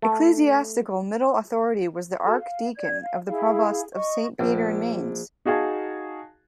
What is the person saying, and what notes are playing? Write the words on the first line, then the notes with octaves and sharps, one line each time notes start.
Ecclesiastical Middle Authority was the Archdeacon of the provost of Saint Peter in Mainz.
A3
F#4 A4 A5 F6
F5
D5 G#6
F5
E4 G#4 F5
D#5 C#6
A#1
D#4 F#4 G#4 F5 G#5 A5